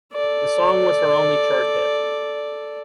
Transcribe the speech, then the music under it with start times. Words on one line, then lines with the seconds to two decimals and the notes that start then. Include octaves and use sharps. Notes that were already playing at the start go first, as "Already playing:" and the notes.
The song was her only chart hit.
0.13 A4 D5